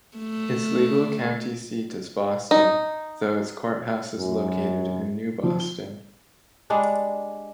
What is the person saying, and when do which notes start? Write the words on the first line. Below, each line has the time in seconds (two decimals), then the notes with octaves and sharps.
Its legal county seat is Boston, though its courthouse is located in New Boston.
0.17 A3
2.51 D#4
4.16 F#2
5.43 F3
5.60 G7
6.70 G3 G#3 D4